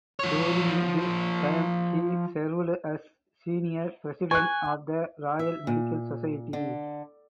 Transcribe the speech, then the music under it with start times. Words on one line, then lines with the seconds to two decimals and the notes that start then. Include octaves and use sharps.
During this time he served as senior president of the Royal Medical Society.
0.20 F3 C#5
4.31 G#5 C#6 F#6
5.39 E5
5.67 A#2
6.53 D3